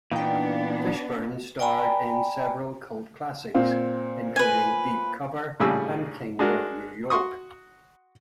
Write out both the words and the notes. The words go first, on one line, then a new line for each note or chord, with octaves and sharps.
Fishburne starred in several cult classics, including "Deep Cover" and "King of New York".
A#2 E3 B3 D4 D#4 F5 G5
D5 G5 G#5 A#5 B5
A#2 C4 F5
B4 G#5
A#1 A2 C#3 G3 G#4 E6
G#3 D4 F#4 A#4
F#4 C6 C#6 D#6